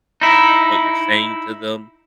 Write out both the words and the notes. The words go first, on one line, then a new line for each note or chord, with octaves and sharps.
what you're saying to them.
D#4 E4